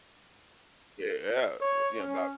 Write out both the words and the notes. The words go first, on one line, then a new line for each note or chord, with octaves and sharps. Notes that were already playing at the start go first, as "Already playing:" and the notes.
Yeah, yeah. Yeah, about
C#5
C#4